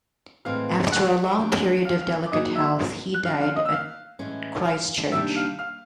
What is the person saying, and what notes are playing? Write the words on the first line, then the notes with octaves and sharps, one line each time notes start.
After a long period of delicate health he died at Christ Church.
A2 E3 G#3 C4 F5 F6
F#5 F#6
F3 A#3 D4 G4
F5 F6
F5 F6
D6
F#3 A#3 D#4 G#4 D#5 D#6
E5 E6
F#6
F3 G#3 C#4 F#4 F5 F6
F5 F6
D#5 D#6
E6
F5 F6
A2 E3 G#3 C#4
F5 F6
C3 D#3 G3 A#3 D4 E5 E6
F5 F6
F5 F6